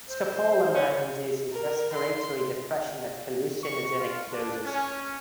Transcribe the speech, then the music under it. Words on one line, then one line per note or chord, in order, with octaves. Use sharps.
Scopolamine induces respiratory depression at hallucinogenic doses.
C5
C#4
A#4
C6
C#6
F4
D4
C#4